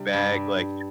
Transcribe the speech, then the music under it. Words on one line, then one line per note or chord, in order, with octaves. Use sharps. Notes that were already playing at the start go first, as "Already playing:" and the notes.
vague, like
Already playing: C3 G3 D4
G2